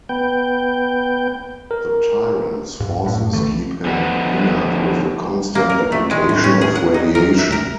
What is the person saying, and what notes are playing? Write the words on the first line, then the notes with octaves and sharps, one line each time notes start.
The tyrant's forces keep him inert with a constant application of radiation.
B3 G5
A#4
G2
F#2 A2
B1 D3 E3 A3
D3 F3 B3 D#4 F#4 B4
A#3
A#4
A3
G#3
A2
C#4
G#4
F#5
D#4
A#4
E5
A#4